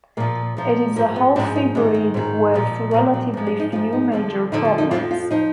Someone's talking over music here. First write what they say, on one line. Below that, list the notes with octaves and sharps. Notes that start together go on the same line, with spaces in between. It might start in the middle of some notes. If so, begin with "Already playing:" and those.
It is a healthy breed with relatively few major problems.
A#2 F3 A#3
A#2 F3
G#2 F3 A#3
B3
G#2 F3 D4
D#4
G#2 D#3 G#3
G#3
G#2 D#3
A#2 F3
A#2 F3 A#3
F#3
G#2 F3 A#3
D4
D#4
G#2 F3 F4
D#4
F2 D3 F3
F2 D3 F3 D#4
F4
D#4
F2 F3 F4
F4
F3 D#4